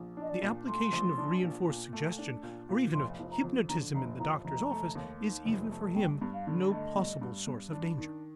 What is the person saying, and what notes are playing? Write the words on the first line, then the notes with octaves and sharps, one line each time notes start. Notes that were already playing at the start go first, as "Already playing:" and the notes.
The application of reenforced suggestion or even of hypnotism in the doctor's office is even for him no possible source of danger.
Already playing: A#1
D4
D#5
D5
A#2
A3 C6
A#1
D4
A#2
A#2
A3
D4
A#2
A#2
F1 C6
F3
A#5
F2
D3 A#5
F1 A#5
F3 A#5
F1 A#5
A3
D#2
D#3
F1
A3
G2 G5
G2
F5
D3
A3 D#5
G2
G2
G2
D4
D#3